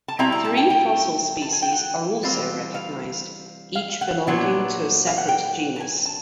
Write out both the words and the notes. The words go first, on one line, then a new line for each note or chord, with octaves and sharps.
Three fossil species are also recognised, each belonging to a separate genus.
A5
B2 G3 C4 E4 A#5
A#5
A5
G5
G5
A5
G#5
G5
F#5
E3 G3 C4 F4
F5
F5
F#5
A#2 F#3 B3 D4
F5
F#5
G5
A5
G#5
A5